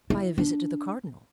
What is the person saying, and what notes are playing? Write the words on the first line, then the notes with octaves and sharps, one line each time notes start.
"By a visit to the cardinal."
E4
D4